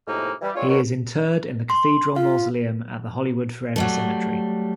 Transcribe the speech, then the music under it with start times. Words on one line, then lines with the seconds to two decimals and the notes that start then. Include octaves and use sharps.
He is interred in the Cathedral Mausoleum at the Hollywood Forever Cemetery.
0.08 A2 C3 F3 G#3 A#3 D#4
0.42 E3 G3
0.55 G#3 C4 D4 F4 C#5
0.68 D#2 B2 D#3 F#3 C#5 C#6
1.70 C6
2.16 F4 F5
3.76 F#3 G3 A3